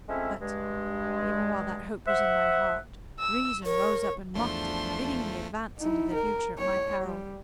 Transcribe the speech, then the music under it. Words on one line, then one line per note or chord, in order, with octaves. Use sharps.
But, even while that hope was in my heart, reason rose up and mocked it, bidding me advance into the Future at my peril.
F3 G#3 A3 C4 C#4 E4
G2 G#3
C5 E5 F#5
E6
A#4 C#5
E2 F3 A3 D4 C6
D#4 E4
A#4
C#5
G3